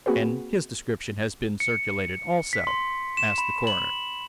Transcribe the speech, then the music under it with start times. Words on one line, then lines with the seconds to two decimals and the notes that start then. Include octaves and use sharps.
"And his description has been circulated also?" asked the coroner.
0.06 A#3 C4 F#4 G#4 B4
1.60 C#7
2.53 B6
2.67 C6
3.17 E7
3.38 B5
3.67 F#7